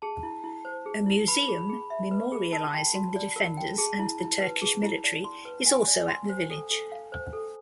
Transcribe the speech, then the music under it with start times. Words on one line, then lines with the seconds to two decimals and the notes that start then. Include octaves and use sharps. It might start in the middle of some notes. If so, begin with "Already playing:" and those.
A museum memorializing the defenders and the Turkish military is also at the village.
0.02 G#4 A5
0.23 E4
0.44 E4
0.65 C5
0.86 G#4
1.06 E4
1.28 B4 B5
1.48 G#4
1.69 G#4
1.90 E5
2.11 B4
2.32 G#4
2.53 A#4 A5
2.73 G5
2.95 F#4
3.16 D5
3.36 A#4
3.57 G5
3.78 G#4 A5
3.99 E4
4.20 E4
4.41 B4
4.62 G#4
4.83 E4
5.04 D5
5.24 C6
5.45 B4
5.66 G5 G#5
5.87 D5
6.08 C6
6.29 C5
6.50 A4
6.71 A4
6.92 F5
7.12 C5
7.33 A4